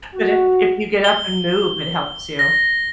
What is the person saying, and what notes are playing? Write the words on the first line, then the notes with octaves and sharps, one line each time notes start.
But if if you get up and move, it helps you.
F#4
G7
A#6